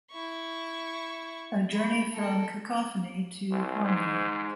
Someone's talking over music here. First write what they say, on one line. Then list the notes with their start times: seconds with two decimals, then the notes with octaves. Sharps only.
A journey from cacophony to harmony.
0.11 E4 C#6
1.70 B5
2.13 A4 A#4
3.51 C2
3.84 G#2